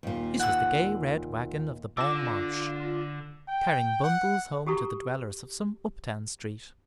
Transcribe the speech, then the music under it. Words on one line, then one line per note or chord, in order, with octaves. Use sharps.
It was the gay red wagon of the Bon Marche, carrying bundles home to the dwellers of some up-town street.
D#2 A#2
F#5 E6
D3 F4 D6 E6 A#6 E7
G5
F#5
F#4 G4 A4 A#5 C#6